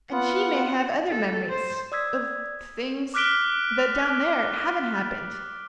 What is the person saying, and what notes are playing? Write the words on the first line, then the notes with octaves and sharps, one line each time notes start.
And she may have other memories--of things--that down there haven't happened.
B3 F4 F#5
A4
C5
D5 D#6 E6 G#6 B6
D6 F6 F#6 B6 D7 G7